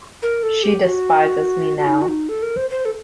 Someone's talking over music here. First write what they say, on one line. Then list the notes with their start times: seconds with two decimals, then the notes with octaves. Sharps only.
She despises me now.
0.22 A#4
0.43 A4
0.63 G4
0.84 F#4
1.78 F#4
1.87 D#4
2.02 F#4
2.08 D#4
2.29 A4
2.42 A#4
2.57 C5
2.70 C5
2.85 A4